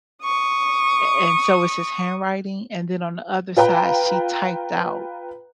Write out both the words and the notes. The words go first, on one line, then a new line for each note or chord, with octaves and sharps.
a and so it's his handwriting, and then on the other side she typed out
C#6 D#6
F4 B4 G5 A#5